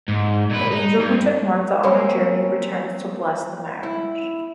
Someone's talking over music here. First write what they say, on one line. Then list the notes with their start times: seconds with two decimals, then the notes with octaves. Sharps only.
The angel who took Martha on her journey returns to bless the marriage.
0.08 G#2
0.50 A#2 B4
0.71 D#4
0.99 G2
1.83 A#3 C4 C#4
3.83 E4